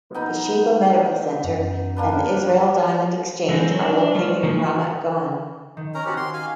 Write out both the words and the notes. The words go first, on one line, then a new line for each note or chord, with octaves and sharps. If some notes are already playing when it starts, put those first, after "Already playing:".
The Sheba Medical Center and the Israel Diamond Exchange are located in Ramat Gan.
B2 D#4 B5
F#2
A#3 D4 B4
E3 G#3 B3 C4
F#3
D4
F#3 G#3 F4
D#3 F3 G#3 A#3
F#4
D#3
C#4 A#4 A#5
C4 C#4 F#4 G4 F6
C6
F5 G#5